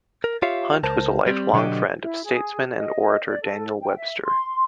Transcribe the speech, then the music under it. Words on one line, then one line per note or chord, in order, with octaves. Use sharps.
Hunt was a lifelong friend of statesman and orator Daniel Webster.
A#4
F4 G4 C#5 E5 F5
C#2 A#4 C5 A5
G3 C4
B2 D3 F#3 D4 G4 D#5
E4
G#4
D#5
D5
A4
G5
E5
C6